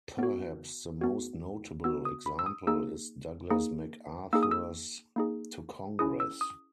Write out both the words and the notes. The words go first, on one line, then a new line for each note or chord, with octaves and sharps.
Perhaps the most notable example is Douglas MacArthur's to Congress.
B3 F#4
B3 F#4
B3 F#4 E6
D#6
B5
E6
D#6
A#3 D#4 G#4 E6
A#3 D#4 G#4
A#3 D#4 G#4 E6
D#6
E6
A#3 D#4 G#4
C#4 E4 G#4 D#6
E6
D#6